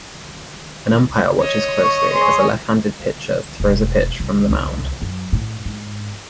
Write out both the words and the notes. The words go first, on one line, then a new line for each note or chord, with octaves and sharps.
An umpire watches closely as a lefthanded pitcher throws a pitch from the mound.
C#5 D#5
C#6
G#4 C6 C#6
E1
C2
F#2
A2
G#2